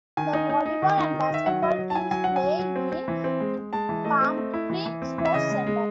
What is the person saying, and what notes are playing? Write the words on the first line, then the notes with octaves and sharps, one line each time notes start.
The volleyball and basketball teams play in Pamplin Sports Center.
D#3 G#5
D#4
D#4
D#4
D#3
D#4
D#3
D#5
D#3 E5
F#3 F#5
F#3 D#5
F#3
A5
E4 G#5
F#3 G#5
F#3 F#5
G#5
F#3
F#3
C4
C4
E3
C4
G#3
G#3
G#3 A5
E3
A3 D#5
C4
A3
E4
E3
E3
C4
E3
E5
C#3 D#5
G#3
G#3